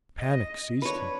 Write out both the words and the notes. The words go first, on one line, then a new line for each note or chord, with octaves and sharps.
Panic seized him.
D#5
D4 B4 C#5